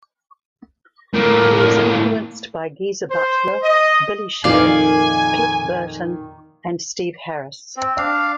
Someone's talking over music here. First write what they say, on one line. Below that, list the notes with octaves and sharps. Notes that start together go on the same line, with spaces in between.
He is influenced by Geezer Butler, Billy Sheehan, Cliff Burton, and Steve Harris.
A2 A#3 A#4
C5
D#5
F2 A#2 D#3 D5 F5 G#5
C4
D4 F5